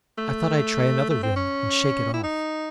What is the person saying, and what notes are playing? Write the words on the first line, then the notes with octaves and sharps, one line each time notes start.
I thought I'd try another room, and shake it off.
A3
A3
C4
C#4
E4
D#4